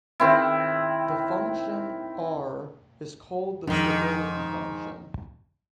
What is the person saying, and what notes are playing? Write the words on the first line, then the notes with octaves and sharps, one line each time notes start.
The function "r" is called the "stability function".
D#3 C4 E4
F2 G#2 D#3 F3 D4